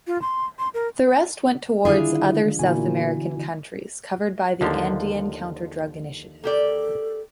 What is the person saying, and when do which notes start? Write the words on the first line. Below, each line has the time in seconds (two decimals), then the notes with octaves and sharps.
The rest went towards other South American countries covered by the Andean Counterdrug Initiative.
0.07 F4
0.22 C6
0.59 C6
0.74 A#4
1.85 D3 D#3 G3 D4 E4 F4 G#4
2.59 A#2 D3 E3 B3 E4 F#4 G#5
4.61 D#2 D3 F3
6.44 A#3 G4 A4 D5